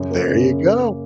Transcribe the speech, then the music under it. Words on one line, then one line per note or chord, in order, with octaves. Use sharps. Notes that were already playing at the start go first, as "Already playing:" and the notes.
There you go.
Already playing: F#2 C#3
A#3
C#3
C#3
A#3
A#3